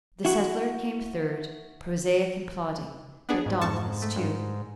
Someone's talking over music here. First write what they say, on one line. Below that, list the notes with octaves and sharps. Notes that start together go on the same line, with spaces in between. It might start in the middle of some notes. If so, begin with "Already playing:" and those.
The settler came third, prosaic and plodding, but dauntless too.
E4 F#4
B3 D4 G#4
G#2
F2 A5 C#6
A3
G2